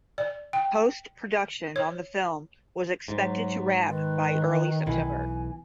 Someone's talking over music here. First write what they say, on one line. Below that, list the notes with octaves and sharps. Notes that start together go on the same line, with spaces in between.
Post production on the film was expected to wrap by early September.
D5
G5
C#5
G#2 F#3
D#3 B4
B1 E3 G#5